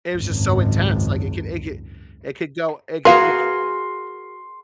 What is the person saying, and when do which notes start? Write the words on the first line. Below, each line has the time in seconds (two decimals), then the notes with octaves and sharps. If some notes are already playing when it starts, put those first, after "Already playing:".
It was just so intense, like, it could it could it could go it c it c
0.13 G#1 C#2 F#2
3.05 F#4 G#4 A#4 B4 F5 C6